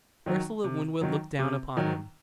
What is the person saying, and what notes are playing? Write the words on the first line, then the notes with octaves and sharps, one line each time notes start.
Ursula Winwood looked down upon him.
D#3 F#3
C3
D#3 F#3
C3
D#3 F#3